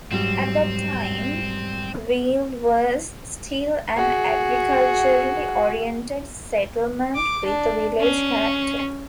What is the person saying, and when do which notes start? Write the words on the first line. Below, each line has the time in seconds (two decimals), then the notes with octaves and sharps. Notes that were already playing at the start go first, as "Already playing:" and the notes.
At that time, Wiehl was still an agriculturally oriented settlement with a village character.
0.11 G#2 F#3 G3 C4
3.96 F#4 G#4
7.15 D6
7.46 D4
8.00 C#4